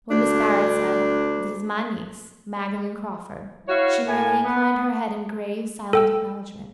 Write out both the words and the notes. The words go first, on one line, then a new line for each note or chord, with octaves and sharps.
When Mrs. Barrett said, "This is my niece, Magdalen Crawford," she merely inclined her head in grave, silent acknowledgement.
D2 D4
E4 F#4 C#5 F5
A2 G#5
B3
A4 G5 E6